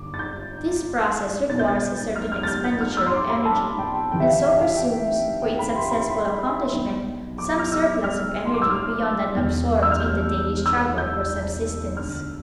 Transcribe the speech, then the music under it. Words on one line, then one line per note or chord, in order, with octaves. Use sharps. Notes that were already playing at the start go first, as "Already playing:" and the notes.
This process requires a certain expenditure of energy, and so presumes, for its successful accomplishment, some surplus of energy beyond that absorbed in the daily struggle for subsistence.
Already playing: G1 D3 D6
A6
G6
B1 B2 A6
G6
A6
F6
F6
A6
G6
G6
F6
E6
C6
D6
B5
A5
G5
C2 C3 E3 G5
E5
F5
E5
F5
G5
G5
B5
C6
B5
C6
B1 B2
D6
F6
E6
F6
C6
D6
E6
F6
E1 E2 B2
E6
F6
G6
E6
G6
D2 D3 F6